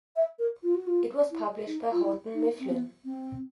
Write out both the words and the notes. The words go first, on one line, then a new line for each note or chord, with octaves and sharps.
It was published by Houghton Mifflin.
E5
A#4
F4
F#4
F4
E4
D#4
F4
E4
D#4
C4
B3
C4